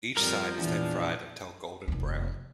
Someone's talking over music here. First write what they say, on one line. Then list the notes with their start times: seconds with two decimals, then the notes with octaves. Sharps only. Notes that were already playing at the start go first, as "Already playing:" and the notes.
Each side is then fried until golden brown.
0.17 F2 F3 G3 A#4
0.58 E2 A#2 E3 D4
1.88 F1 D#2